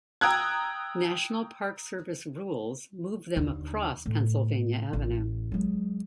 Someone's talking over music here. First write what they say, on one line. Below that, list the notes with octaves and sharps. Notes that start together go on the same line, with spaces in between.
National Park Service rules moved them across Pennsylvania Avenue.
G5 A#5 D#6 E6 F#6 G#6
D#2 D3
A2
A1
F#3 G#3